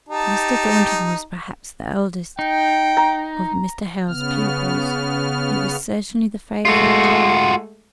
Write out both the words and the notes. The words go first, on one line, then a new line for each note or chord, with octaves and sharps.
Mr. Thornton was perhaps the oldest of Mr. Hale's pupils. He was certainly the favourite.
D#4 G4 A5
D#4 G5
A#5
C#3 B3 F6
G#3 A3 F4 F#4